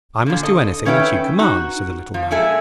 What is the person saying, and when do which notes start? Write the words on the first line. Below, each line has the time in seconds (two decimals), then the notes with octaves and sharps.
'I must do anything that you command,' said the Little Man.
0.26 A#2 D3
0.43 A4 D#5
0.85 D#3 C#4 B4 E5 F5 G5
1.39 D#4 F#4
2.14 F3
2.31 A#2 G#3 A4 E5 G#5